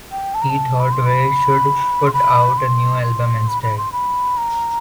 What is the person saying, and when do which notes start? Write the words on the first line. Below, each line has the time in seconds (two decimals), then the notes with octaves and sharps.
He thought we should put out a new album instead.
0.12 G5
0.34 A5
0.42 A#5
0.50 A5
0.80 B5
0.93 C6
1.06 B5
2.07 C6
2.13 B5
2.58 C6
3.03 C6
3.48 B5
3.63 B5
3.78 C6
3.92 B5
4.37 A#5